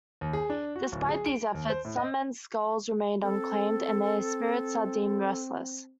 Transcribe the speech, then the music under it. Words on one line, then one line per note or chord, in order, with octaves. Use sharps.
Despite these efforts some men's skulls remained unclaimed and their spirits are deemed restless.
D#2
G#4
D4
F#4
D1
G#4
D7
D#2
C5
A2
D#5
C4 A4